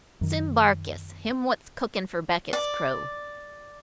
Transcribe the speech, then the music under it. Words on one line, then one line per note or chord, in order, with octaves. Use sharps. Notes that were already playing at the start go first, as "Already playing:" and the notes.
"Sim Barkis, him what's cookin' for Beckett's crew."
F#2 D#3
D5